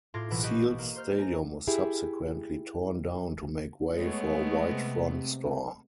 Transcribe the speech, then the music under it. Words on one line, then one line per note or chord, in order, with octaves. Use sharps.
Seals Stadium was subsequently torn down to make way for a White Front store.
A2 F4 C6 D6 G#6 A#6
A1 B2 E3 F#3 E4
G4 B4 D#5 C#6
A#3
C5 F6 G6
A#4 G#5 A#5 A#6
E4 G4 G#4
G#3 A3 B3 C#5
C3